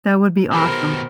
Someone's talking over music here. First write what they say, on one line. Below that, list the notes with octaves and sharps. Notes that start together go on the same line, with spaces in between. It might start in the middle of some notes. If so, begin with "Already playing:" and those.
That would be awesome.
B2 D#3 G4 G#4 A#4 C5 B5